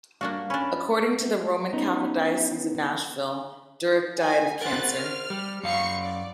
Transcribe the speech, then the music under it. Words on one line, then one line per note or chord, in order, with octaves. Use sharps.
According to the Roman Catholic Diocese of Nashville, Durick died of cancer.
G3 A#3 D4 F#4 F5
C#4 D4 B5
B3 C#4 D#4
G#5
A#4 C5 F#5 F#6 A6
F6
G3
F#2 F5 C#6 C7 C#7
D5